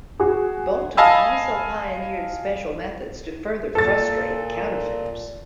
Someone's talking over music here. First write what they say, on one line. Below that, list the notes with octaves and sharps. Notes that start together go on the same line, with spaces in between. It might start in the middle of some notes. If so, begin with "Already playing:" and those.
Boulton also pioneered special methods to further frustrate counterfeiters.
F#4 G#4
D#5 F5 G#5 A5 B5 E6
A#2 A4 A6